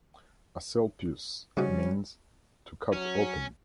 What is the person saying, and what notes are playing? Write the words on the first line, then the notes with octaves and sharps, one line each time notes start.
Asclepius means "to cut open".
G#2 C#3 G3 C#4 F#4
F#3 C#4